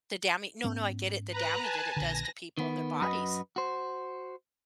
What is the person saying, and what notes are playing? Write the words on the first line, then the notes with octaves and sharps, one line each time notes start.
The dama no, no, I get it, the damage that it does to people, their bodies.
G#2 B3 C#4
B4 A#5 F#6
G#5 A5
A#1 D3 A#6
D#3 B3
F#2 F#4 B4 D#5
F#4 C5